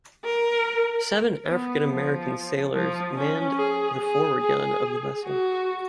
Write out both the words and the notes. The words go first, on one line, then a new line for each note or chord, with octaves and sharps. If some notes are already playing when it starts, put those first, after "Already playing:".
Seven African-American sailors manned the forward gun of the vessel.
A#4
B3
F3
F3
C#4
G#4
G#4
G#4
F#4